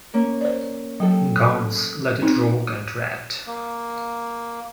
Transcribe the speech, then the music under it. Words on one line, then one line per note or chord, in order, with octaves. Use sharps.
Guns, Let It Rawk, and Ratt.
A#3 C#4
C5 D5
F#3 A4 G5
C4 D#4
A#3